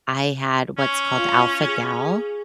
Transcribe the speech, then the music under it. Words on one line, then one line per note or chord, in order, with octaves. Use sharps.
I had what's called alpha-gal.
C#4
F4
G#4